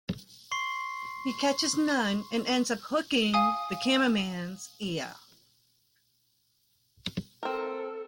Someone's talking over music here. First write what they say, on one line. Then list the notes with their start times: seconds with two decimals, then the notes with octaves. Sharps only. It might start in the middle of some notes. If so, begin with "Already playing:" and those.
He catches none and ends up hooking the cameraman's ear.
0.51 C6 C#6 C7
3.34 F5 G#5 D#6
7.43 C4 A4 A#4